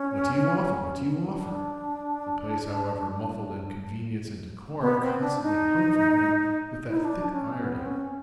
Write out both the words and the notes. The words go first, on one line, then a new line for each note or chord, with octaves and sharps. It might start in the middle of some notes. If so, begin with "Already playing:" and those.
"What do you offer, what do you offer?"--the place, however muffled in convenience and decorum, constantly hummed for him with that thick irony.
Already playing: C#4
D4
B3
C4
D4
D#4
E4
D#4
D4
C#4
B3
C4
C#4